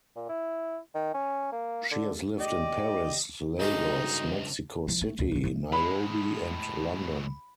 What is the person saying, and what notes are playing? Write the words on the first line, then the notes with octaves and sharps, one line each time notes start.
She has lived in Paris, Lagos, Mexico City, Nairobi and London.
A#2
E4
D#3
C#4
A#3
D3
G4 D5 D#5
C#2 G2 G#3 D#4 F#4 G4 A4 G5
F3 E4
A3
D2
D2 F3
F3 A#3
A2 G#3 B5